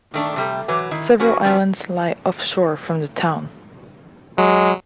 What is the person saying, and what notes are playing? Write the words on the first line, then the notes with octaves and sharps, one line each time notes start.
Several islands lie offshore from the town.
D#3 A3 D4
C3 G3 A3
E3 F#3 B4
D#3 E4
F#3 C#4 F#4 B4
F3 F#3 B3 C#4
F#3 G#3